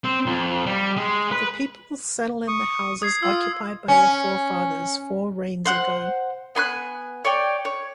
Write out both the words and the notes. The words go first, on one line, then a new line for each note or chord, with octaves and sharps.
The people settle in the houses occupied by their forefathers four reigns ago.
C4
F2
G3
G#3
B4
C#6 D#6
D#6 G#6 C7
F4 E6
C#4
C5 F#5 F#6
B3 G#5 C6 F#6
C#5 D5 G5
C#5